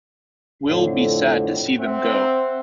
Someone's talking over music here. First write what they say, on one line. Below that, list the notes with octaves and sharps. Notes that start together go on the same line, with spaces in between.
We'll be sad to see them go!
F2 A2 D3
C4 E5 F#5